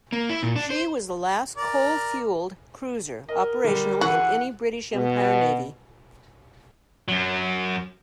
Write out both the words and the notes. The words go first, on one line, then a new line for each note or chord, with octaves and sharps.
She was the last coal-fuelled cruiser operational in any British Empire navy.
A#3
E4
A#2
D4
C5
A#4 D5
A#4 D#5
D3 G3
E3 F#4 G#4 F#5
B2
F#2 F#3